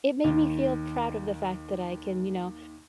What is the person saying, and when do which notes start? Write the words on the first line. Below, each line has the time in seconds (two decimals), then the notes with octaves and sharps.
it made me feel proud of the fact that I can, you know,
0.24 D#2 D#3